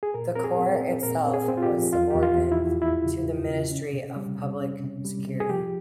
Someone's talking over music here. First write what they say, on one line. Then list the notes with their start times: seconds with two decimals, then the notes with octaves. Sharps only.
The corps itself was subordinate to the Ministry of Public Security.
0.03 G#4
0.14 A#2 A#4
0.35 C4 A#4
0.44 G#4
0.60 C4
0.74 A#4
0.81 C4
1.03 A#2 A#4
1.27 C4
1.34 G#4
1.48 C4
1.57 F4
1.62 G4
1.71 F3
1.93 E2 F4
2.11 E2 G4
2.23 F4
2.38 E2
2.52 E4
2.60 E2
2.82 E2 E4
3.04 C#3
3.26 E2
3.48 C#3
3.71 C#4
3.93 C3
4.16 G3
4.39 C3
4.61 C#4
4.83 C3
5.05 G3
5.28 C3
5.40 G#4
5.50 F3 G4